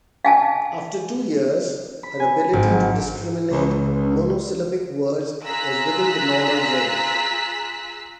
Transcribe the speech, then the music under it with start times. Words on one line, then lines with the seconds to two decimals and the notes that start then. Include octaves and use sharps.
After two years, her ability to discriminate monosyllabic words was within the normal range.
0.25 F5 G#5 A5
2.03 B5
2.20 G#5
2.53 G#1
2.70 F#3
3.52 C#2
5.44 F4 G#4 A#5 E6 F#6 B6